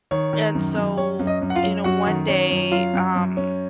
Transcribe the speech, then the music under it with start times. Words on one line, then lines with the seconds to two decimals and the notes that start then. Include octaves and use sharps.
and so, you know, one day, um,
0.11 D#3 C#5
0.33 D#3
0.55 F#2
0.77 F#2
0.97 C#4 C#5
1.19 F#2
1.27 D#5
1.42 F#2
1.50 F#5
1.56 F4 F5
1.64 F#3
1.84 F#2 F#4 F#5
2.07 D#3
2.28 C#4
2.51 F#2
2.71 F#3 F4 F5
2.93 F#2
3.16 F#2
3.37 C#4